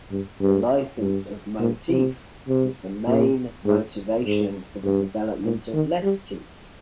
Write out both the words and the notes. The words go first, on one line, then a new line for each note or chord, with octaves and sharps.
The licence of Motif was the main motivation for the development of LessTif.
G2
G2
G2
A#2
C3
C3
A#2
G#2
G#2
G2
A#2
D#3
G3